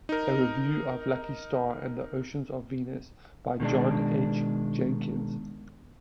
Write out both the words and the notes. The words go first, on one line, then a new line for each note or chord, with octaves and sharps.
A review of "Lucky Starr and the Oceans of Venus" by John H. Jenkins.
D#4 A#4
B2 D#3 G#3 D4